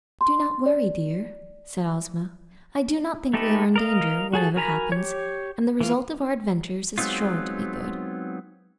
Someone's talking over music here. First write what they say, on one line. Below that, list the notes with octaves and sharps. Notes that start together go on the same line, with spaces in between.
"Do not worry, dear," said Ozma, "I do not think we are in danger, whatever happens, and the result of our adventure is sure to be good."
C6
D5
A3 D#4 G4 A4 B4
A#4 D#5 F5
F#4 G#4 A4
F#4 A#4 G#5 A#5 B5
G4 C#5
E3 F4
F#3 G#3 B3 C4 D#4 F4